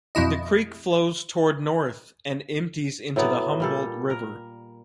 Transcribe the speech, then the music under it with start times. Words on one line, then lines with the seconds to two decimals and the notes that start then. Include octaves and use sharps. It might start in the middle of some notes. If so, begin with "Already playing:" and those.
The creek flows toward North and empties into the Humboldt River.
0.15 F2 B2 E4 D#5
3.16 A2 F#3 B3 D5
3.60 A#2 G3 A4
4.10 A#4